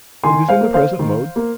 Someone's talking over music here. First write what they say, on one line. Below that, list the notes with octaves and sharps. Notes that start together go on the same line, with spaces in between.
It is in the present mode.
D#3 G#5 C6
C5 F5
A#3
C5 F5
D#3
A#3